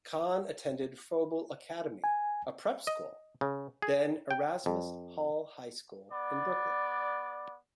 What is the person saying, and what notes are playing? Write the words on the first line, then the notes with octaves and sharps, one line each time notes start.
Kahn attended Froebel Academy, a prep school, then Erasmus Hall High School in Brooklyn.
G#5
D#5
C#3
G#4
G5
F2
B3 D5